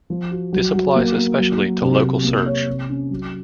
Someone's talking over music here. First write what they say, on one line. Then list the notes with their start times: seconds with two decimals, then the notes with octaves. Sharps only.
This applies especially to local search.
0.10 F3
0.31 F#4
0.53 F#3
0.73 F#3
0.96 A#3
1.17 A#3
1.38 F#3
1.60 F#3
1.82 C3
2.03 C3
2.24 A#3
2.46 C#5
2.67 C3
2.89 C#4
3.10 F#3